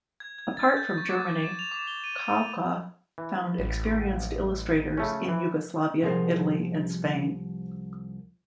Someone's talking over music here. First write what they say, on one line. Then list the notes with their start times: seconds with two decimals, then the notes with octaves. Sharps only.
Apart from Germany, Kauka found experienced illustrators in Yugoslavia, Italy and Spain.
0.20 G#6
0.38 G#6
0.57 A6
0.77 G6
0.98 C#6
1.09 D6
1.43 E7
1.59 F7
1.72 D6
1.87 G7
2.04 D#7
2.22 D#7
3.18 E3
3.58 A1
4.97 C#3 A3 C#4
5.29 E3
6.02 C2 F3 G#4 A#4 C5